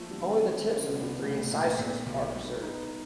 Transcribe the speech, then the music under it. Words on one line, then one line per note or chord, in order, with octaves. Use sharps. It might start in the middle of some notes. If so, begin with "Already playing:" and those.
Only the tips of the three incisors are preserved.
Already playing: F3 A3 A#3
D3 G3
C4
F3
C4
D3
C#4
C2 B3
C2 A3
A#2 A#3
A#2 B3
B1
G3
B3 D#4